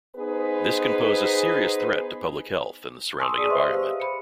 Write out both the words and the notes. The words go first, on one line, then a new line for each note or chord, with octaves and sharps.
This can pose a serious threat to public health and the surrounding environment.
B3 D#4 G#4 B4 C5
G#5 A5 C6 C#6 D#6 E6
G#4 D5 D#6 B6 D#7
B4 C5 D#5 E5 C6 C#6
G4 C5 F5
B5 C#7